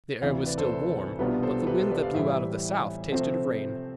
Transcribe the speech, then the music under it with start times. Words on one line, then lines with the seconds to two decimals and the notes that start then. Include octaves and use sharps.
The air was still warm, but the wind that blew out of the south tasted of rain.
0.22 D2 C3 E3 D5 F5
0.46 B4 D5
0.58 A4 C5
1.19 C2 B2 B3 D4 F4 G4 B4
1.42 A4 C5
1.66 G4 B4
1.78 A4 C5
1.91 B4 D5
2.03 D5 F5
2.14 A2 E3 G3 C5 E5
3.11 C3 F3 A3 C4 C5 E5